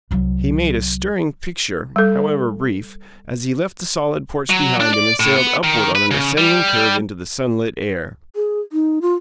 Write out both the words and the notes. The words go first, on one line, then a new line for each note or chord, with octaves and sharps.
He made a stirring picture, however brief, as he left the solid porch behind him and sailed upward on an ascending curve into the sunlit air.
C2 F#3
G3 A4
F#3
D4
D5
A2
B3
D#3
B4
C#3
G3
G#4
D#4
F4